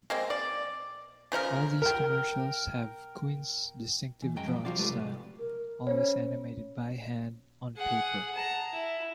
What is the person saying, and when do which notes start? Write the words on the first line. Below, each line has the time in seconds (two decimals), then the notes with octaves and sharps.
All these commercials have Quinn's distinctive drawing style, always animated by hand, on paper.
0.10 G#3 A#3 C4
0.30 D5
1.32 C#3 F3 D#4 A#4
1.82 A#4 G5
4.22 E3
4.36 F#2 G#3 G5 A#5
4.48 F3 G3
4.65 C3 G3 C4 F4 F#4 D5
4.78 F#3 G#3 A3 G4 B4 D5
4.91 C3
5.39 A#4
5.87 C#4 C5 C#5
7.76 G#4 F#5
8.35 A5 A#5
8.72 E4